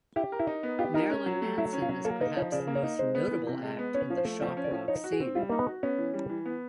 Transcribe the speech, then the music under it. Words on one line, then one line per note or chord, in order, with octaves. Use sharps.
Marilyn Manson is perhaps the most notable act in the shock rock scene.
E4 G4
A#4
E4
D#4
B3
F4 G4
D#4 A#4
C#4
F#3
A3
F#3 E4
C#4
F4
F#3
A#3 A4
D#4 B4
F3 C#5
C#3 D5
A#3
C#5
D#4
G#3 C5
B3
E3
C3
G#3
B3
C#4 C#5
F3
C5
A3
F3 D5
C#4
D5
F3
D#4 C#5
F#4
G#4
C4
G3 F4
A#3 D#4
B3
F#4
B3 C#4
E3
G3
E3
B3